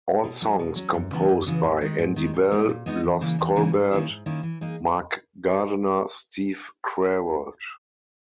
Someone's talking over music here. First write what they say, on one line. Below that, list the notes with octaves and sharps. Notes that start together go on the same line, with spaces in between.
All songs composed by Andy Bell, Loz Colbert, Mark Gardener, Steve Queralt.
B2
F#3 C#4
B2
F#3 C#4
F#2
C#3 E3 B3
F#2
C#3 E3 B3
G#2
D#3 G#3
G#2
D#3 G#3
A#2
G#3 B3 D#4 F#4
A#2
G#3 B3 D#4 F#4
E2
C#3 E3 A#3 C#4
E2
C#3 E3 A#3 C#4
G#2
D#3 A#3 C#4 E4
G#2
D#3 A#3 C#4 E4
E3
A#3 D#4 G#4